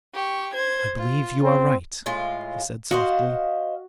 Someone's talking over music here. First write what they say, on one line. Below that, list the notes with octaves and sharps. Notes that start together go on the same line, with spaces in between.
"I believe you are right," he said softly.
G4 C#6
C5 G#6
F4
C4
A2 G#3 F4
F#4 C5 D#5 F5